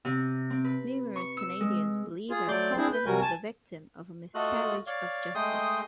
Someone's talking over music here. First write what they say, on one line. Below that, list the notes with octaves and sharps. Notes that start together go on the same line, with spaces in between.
Numerous Canadians believe that Coffin was the victim of a miscarriage of justice.
C3
C4
B4
C#6
E6
G#3
F4 G#4
F#3 A3 D5 C6 D6 G6
C4 D4 E4 G#4 C5
B4 G6
C3 G3 F#4 A#4 G#5
G#5 A5
A3 F4 F#4 A4 D#5 F#6
C#5 D5 F5
G#3 A3 D#5 G5 C6 D#6